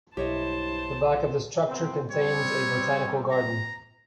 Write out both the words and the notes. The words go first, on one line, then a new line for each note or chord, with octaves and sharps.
The back of the structure contains a botanical garden.
B1 G2 E4 G4 C5 C#5 D#5 A5
C3 B3 C4
G3 C4 C#5
A#5